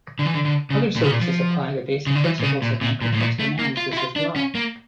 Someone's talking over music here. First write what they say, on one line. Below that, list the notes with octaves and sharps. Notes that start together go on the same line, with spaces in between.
Other services apply the basic principles of anchor text analysis as well.
D3
E3
D3
D3
C#3
A#2
C#3
A#2
F3
C#3
D3
E3
A#2
C#3
A#2
A#2
A#2
A2
A#2
A3
A#3
F4
E4
F4
D4
C#4
A#3